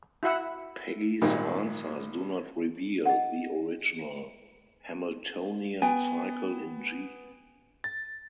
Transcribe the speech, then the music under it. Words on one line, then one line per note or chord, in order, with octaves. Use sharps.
Peggy's answers do not reveal the original Hamiltonian cycle in "G".
E4 F#4 E5 F#5 E6
G#1 A#2 D#3 G3
D#5 F#5
B3 G5 G#5
A6